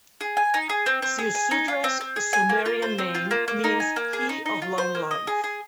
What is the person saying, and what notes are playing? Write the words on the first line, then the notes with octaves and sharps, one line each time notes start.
Ziusudra's Sumerian name means "He of long life".
G#4
G#5
D#4
G#4
C4
C4
G#4
G#5
D#4
F4
C4
C4
G#4
G#5
A#3
F4
C5
C4
F4
A#3
A#3
D#4
G#5
A#3
G#4
D#4
D#4
F4
C5
A#3
D#5
G#4
G#4